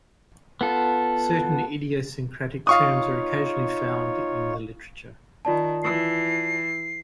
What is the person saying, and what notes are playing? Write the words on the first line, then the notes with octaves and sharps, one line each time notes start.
Certain idiosyncratic terms are occasionally found in the literature.
B3 F4 A4
D#4 F4 C#5 F5 C#6 D#6
D#3 F4 D5 A5
E3 C7